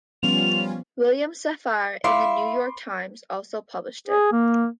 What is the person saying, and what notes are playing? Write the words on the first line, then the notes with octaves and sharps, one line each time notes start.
William Safire in "The New York Times" also published it.
F3 G3 B3 C#4 F4 F7
E4 F5 C6 D6
G#4
A#3